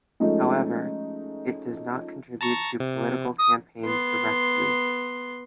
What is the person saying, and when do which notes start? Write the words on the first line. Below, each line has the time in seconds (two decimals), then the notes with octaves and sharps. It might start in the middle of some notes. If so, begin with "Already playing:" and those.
However, it does not contribute to political campaigns directly.
0.20 F3 G#3 A3 C#4 D#4
2.41 A5 A#5 C#6
2.80 C3
3.39 D#6
3.85 B3 C6